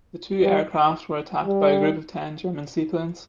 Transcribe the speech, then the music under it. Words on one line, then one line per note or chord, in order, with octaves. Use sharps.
The two aircraft were attacked by a group of ten German seaplanes.
G3
G3